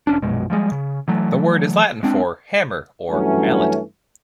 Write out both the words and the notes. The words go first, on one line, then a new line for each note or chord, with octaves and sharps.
The word is Latin for "hammer" or "mallet".
E1 C#4 D4
A#1 F#2 B2 G#3
F3 G3 G#3
C#3
E3 F#3 A3
G#3 C4 D4
G2 E3 F#3 A3 C#4